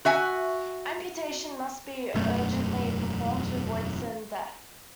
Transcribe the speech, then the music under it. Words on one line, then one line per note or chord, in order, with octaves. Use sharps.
Amputation must be urgently performed to avoid certain death.
F#4 E5 G#5
E1 F#2 A3